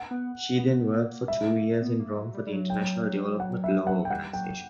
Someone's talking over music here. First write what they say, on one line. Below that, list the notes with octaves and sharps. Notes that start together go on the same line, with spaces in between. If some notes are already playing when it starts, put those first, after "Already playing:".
She then worked for two years in Rome for the International Development Law Organization.
Already playing: F#5
B3
B3
A#3
G3 E5
A#3
B3
A#3
F#3
G3
G3
F#3
G5
F#5
E5
F#5
G5
G3 F#5
F#3 G5